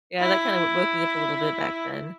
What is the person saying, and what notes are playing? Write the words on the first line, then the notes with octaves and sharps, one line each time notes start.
Yeah, that kinda w woke me up a little bit back then.
E4